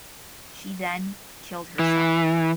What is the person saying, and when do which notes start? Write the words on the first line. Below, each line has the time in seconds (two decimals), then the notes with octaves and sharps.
She then killed herself.
1.79 E3